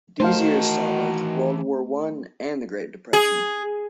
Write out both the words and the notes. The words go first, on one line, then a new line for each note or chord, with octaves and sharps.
These years saw both World War One and the Great Depression.
D#3 E3 A3 F#4 C5 F5 A5
G#4